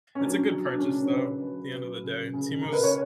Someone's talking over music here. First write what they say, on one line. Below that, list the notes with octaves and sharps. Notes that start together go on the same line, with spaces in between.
it's a good purchase, though, at the end of the day. Temu's
C#4
F#3 D4
F#3
D4
C#3 C#4
D4
C#5
C#3 B4
F#3
F#3
C#3
C#3
C#3 A#4
B4
C#5